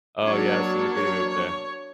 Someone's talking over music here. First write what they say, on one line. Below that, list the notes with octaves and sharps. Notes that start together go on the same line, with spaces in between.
Oh, yeah, I've seen the video of that.
F#3 A#3 D4 C#5
C#5
C#5